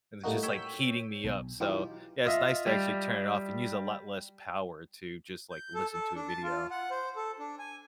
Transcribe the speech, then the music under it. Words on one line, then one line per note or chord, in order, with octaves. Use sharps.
And it was just, like, heating me up. So, yeah, it's nice to actually turn it off, and use a lot less power to just, like, listen to a video.
A2 G3 A3 A#3 D#4 F#4
C#5 G5 E6 G6 B6
B1
E3 F#3 D#4 F4 G4
F4 D#5 E5
G3
G6
A4
A4
D4
A5
F4
F#5
C5
A4
D4
G#5